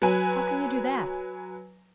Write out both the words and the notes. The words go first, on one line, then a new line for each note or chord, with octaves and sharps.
"How can you do that?"
F#3 B4 G#5